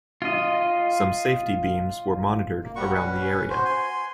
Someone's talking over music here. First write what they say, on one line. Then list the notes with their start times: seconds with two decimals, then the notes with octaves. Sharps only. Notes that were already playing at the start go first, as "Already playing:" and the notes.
Some safety beams were monitored around the area.
0.22 F4 D#5
2.64 A#3
2.76 G3 F#4 C#6
2.94 C#4 B4
3.50 F#4 C5
3.65 G#5 C6